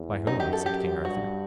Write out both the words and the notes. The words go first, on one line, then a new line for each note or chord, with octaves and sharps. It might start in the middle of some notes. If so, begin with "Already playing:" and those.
By whom? said King Arthur.
Already playing: E2
F#2 D#4
G4
A4
F#2 G4
G2 F#4